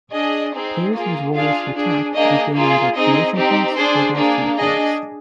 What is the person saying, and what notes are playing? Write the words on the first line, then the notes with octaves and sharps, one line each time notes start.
Players use warriors to attack and gain either Promotion Points or Destiny Points.
D4 G#4 D#5
C4 D#4 G#4
A#3 F4 G#4
D4 F4 G#4 F5
D4 G#4
A#3 D4 G#4 D#5
A#3 F4 G#4
C4 D#4 G#4 D#5
C4 D#4 G4
D4 G#4 C5
A#3 D4 G#4
D4 G#4 D#5